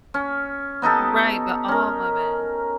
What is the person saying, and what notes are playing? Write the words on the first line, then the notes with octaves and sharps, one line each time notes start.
Right. But all women.
C#4
B3 D#4 G4 A4
C#4 A#4